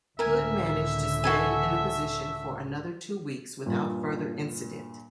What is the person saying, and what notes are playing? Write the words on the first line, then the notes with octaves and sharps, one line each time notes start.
Hood managed to stay in the position for another two weeks without further incident.
C#2 A2 D3 A#4 E5 G#5
F#4 A4 G#5
G2 A#2